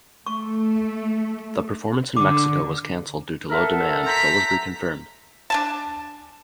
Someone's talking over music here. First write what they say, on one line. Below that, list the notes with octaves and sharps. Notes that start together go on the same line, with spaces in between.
The performance in Mexico was canceled due to low demand but was reconfirmed.
A3 C#6
D3 D6
A4 A#4 E5 F#5
C5 A5 A#5 B6
D4 G#5 A5